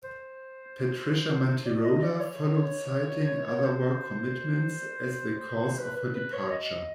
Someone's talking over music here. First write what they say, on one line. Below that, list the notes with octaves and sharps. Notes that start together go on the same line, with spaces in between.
Patricia Manterola followed citing other work commitments as the cause of her departure.
C5
C5
D5
D#5
D5
C#5
C5
B4
B4
B4
C#5
D#5